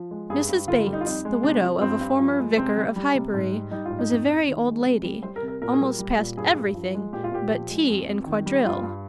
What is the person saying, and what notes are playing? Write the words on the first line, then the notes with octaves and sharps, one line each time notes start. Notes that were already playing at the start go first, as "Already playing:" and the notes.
Mrs. Bates, the widow of a former vicar of Highbury, was a very old lady, almost past every thing but tea and quadrille.
Already playing: F3
G#3
G2 G#4
G2
D3 F4
F4
G3
D#4
F4
F2 D#4
G#3
C3 D4
F3
G2 C4
G2
F3
G#3
C3 C4
G3
G3
C3
G#2
G3
G3 D#4
F4
G#2
D#4
F2
F2
D#3
G#3
C3
G3
G3 C5
A#4
C3
A#4
A#2 A#4
G#4
G3 A#4
G3
A#2
G2 G#4
G2
F3
G#3
A#2 G4
F4
A#2 G4
F3
G#3
F2
F2
D#3
G3
G2 F4
G2